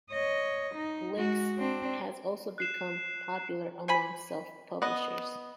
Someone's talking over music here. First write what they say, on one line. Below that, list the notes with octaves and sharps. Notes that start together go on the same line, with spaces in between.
LyX has also become popular among self-publishers.
C#5 D#5
D#4
G#3 F#4
C4 D4
F#6 C7 E7
C5 G#5 B5
B3 D#5